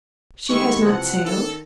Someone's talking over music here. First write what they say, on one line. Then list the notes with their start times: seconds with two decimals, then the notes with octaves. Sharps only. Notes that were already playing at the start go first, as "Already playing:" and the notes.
"She has not sailed?"
0.49 D#3 G#3 E4 G4 C#6
0.85 C3 E3 F3 F#5
1.25 D#3 A4